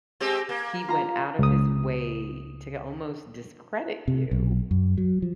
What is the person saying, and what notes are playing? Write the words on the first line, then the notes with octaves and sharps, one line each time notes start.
he went out of his way to almost discredit you
G#3 C4 G4
A#3
F4 A#5
C#2 D#6
C3
B1
F#2
F#3
F3